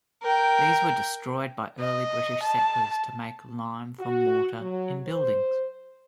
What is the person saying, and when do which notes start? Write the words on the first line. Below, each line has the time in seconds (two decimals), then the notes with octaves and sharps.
These were destroyed by early British settlers to make lime for mortar in buildings.
0.23 A#4 G5
1.80 D#5
2.43 A5
3.99 F#4
4.61 F#3
5.07 C5